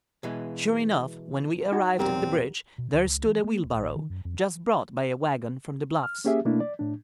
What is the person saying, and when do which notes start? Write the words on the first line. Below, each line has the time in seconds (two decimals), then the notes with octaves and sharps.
Sure enough, when we arrived at the bridge, there stood a wheelbarrow, just brought by a wagon from the Bluffs.
0.23 B2 E3 G#3
1.72 D#4 F#4
1.99 B1 E2 A#2 G3 C4 A#4
2.78 B2
2.93 D2
3.06 C#2
3.25 E3
3.44 A#3
3.63 D#1
3.75 A1
3.96 D#3
4.10 F#2
4.25 F2
6.03 F6
6.25 A#3 C#4 G4 G#4 E5
6.45 B2 A3 A#3 D4 E4
6.60 D5
6.79 A2 D4